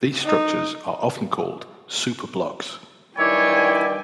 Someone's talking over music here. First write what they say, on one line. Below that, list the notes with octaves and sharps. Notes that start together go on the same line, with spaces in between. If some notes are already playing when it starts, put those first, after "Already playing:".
These structures are often called 'superblocks'.
D#4
G2 D#3 E4 C#5 D5 G5 G#5